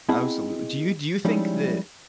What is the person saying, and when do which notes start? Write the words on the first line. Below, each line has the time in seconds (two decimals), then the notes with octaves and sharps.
Absolutely. Do you do you think that
0.09 B3 C4 E4 G#4 D#5 A5
1.25 F3 G3 G#3 C#4 D#4 E4